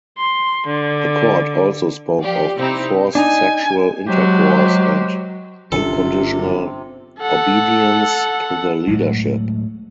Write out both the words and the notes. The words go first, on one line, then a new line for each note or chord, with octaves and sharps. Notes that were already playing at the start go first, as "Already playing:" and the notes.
The court also spoke of "forced sexual intercourse" and "unconditional obedience" to the leadership.
C6
D3
F3 G4 D5
C3 C4 D#4 E4 G4
D4 D#4 G#5
C3 F#3 G#3 G4
G1 C3 C#4 D4 F4 A4
A4 F#5
A2 F#3 G#3